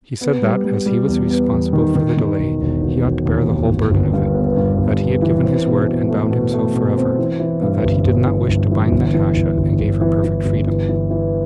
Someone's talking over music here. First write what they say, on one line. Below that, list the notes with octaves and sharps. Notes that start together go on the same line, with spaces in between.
He said that as he was responsible for the delay he ought to bear the whole burden of it; that he had given his word and bound himself forever, but that he did not wish to bind Natasha and gave her perfect freedom.
B3
G3
G3
G3
E2
B3
E2
D#3
D#3
D#3
E1
E1
E1
E1
D#2
D#2
G1
G1
G2
B3
G2
G1
B3
E3
C4
B2
B2
A3
B2
A3
B2
C4
E3
E3
G2
G1
G1
E3
G1
E3
G1
E3
G1
G1
G1
E3
E3
G1
E3
E3
E3